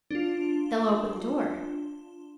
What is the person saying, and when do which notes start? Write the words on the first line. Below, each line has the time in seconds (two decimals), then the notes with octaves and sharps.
"They'll open the door."
0.11 D4 F4